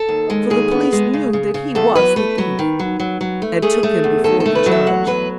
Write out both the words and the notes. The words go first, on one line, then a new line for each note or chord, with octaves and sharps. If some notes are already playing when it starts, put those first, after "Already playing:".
So the police knew that he was the thief, and took him before the judge.
Already playing: A4
D#2
G#3
D#2 G#4
B3
G#3
C#3
C#3
C#3
E2 A4
F#3 B4
A3 B4
F#3
D#3
F#3
F#3
F#3
A3
A3 G#4
A3
E2
D#3 A4
A4
A3
B4
F#3
E5
E2 F#5
F#3 B4